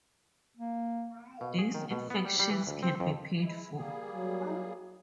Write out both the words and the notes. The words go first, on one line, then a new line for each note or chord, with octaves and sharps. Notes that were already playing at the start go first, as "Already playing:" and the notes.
These infections can be painful.
A#3
B2
G#4
D#3
B2
B3
G3
G3
E3
D2
C4
F2
G#3 E4
G3 A#3 G#4
F#3